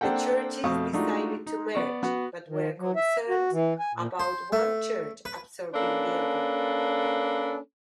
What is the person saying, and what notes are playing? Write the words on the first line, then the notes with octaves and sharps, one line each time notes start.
The churches decided to merge but were concerned about one church absorbing the other.
A#3 C4 D4 A4 F#5 G5
F2 B2 A3 F5 C#6 D#6
G#3 A3 D4 D#4 F4 F#4
D#4
B3 D5 C#6
B3 F#4
D#3
F#3
E5
F#4
E3
G#5
A#2
C5
A3
B4
A#3 C#4 D4 A4 B4